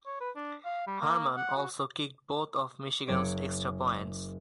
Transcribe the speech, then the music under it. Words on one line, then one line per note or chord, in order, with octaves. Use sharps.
Harmon also kicked both of Michigan's extra points.
C#5
B4
D4
F5
G3
A#3
F#5
F#4
F#1 C#5 D7